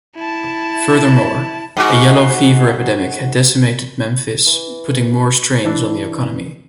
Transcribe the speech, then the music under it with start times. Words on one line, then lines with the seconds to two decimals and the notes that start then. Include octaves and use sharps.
Furthermore, a Yellow Fever epidemic had decimated Memphis, putting more strains on the economy.
0.16 E4 A5
1.77 G#2 F#4
4.46 E3
5.65 E3 D4